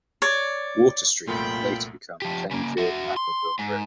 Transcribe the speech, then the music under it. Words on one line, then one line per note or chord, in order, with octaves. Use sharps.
Water Street would later become Plainfield-Naperville Road.
C#5 D5
C2 F#2 A#2 F3 A3 G5 B5
F3 G4
C#3 A#3
F#4 E5
C6
G#2